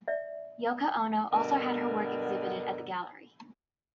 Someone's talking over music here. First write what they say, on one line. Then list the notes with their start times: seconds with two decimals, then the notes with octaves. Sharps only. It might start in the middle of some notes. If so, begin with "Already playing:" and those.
Yoko Ono also had her work exhibited at the gallery.
0.08 D5 E5
1.32 G2 B2 D3 A#4